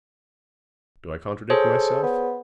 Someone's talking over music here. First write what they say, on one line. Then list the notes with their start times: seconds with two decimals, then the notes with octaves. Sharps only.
Do I contradict myself?
1.50 G#4 A4 C5 C#5
2.03 B3